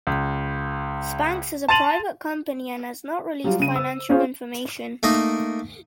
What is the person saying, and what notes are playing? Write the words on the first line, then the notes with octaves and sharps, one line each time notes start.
Spanx is a private company and has not released financial information.
C#2
A5 C6 A6 D#7 F7 F#7
F#3 G3 F4
C#3 D#7
C5 E6
C#4 F4 G#4 C5 C#5
A3 A#3 D#4 A#4